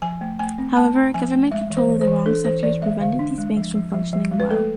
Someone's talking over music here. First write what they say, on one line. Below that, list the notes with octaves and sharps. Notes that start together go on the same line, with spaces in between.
However, government control of the wrong sectors prevented these banks from functioning well.
F3 G#5
A3
A3 G#5
C4
A3 A5
C4
F3 G#5
A3
G#3 E5
E3
C5
E3
C5
E3
D4 A4
E3 C5
E3 D5
G#3 E5
D3 F5
D4
G#3
F3
F3
F3
F3
G#3
B4
A3 A4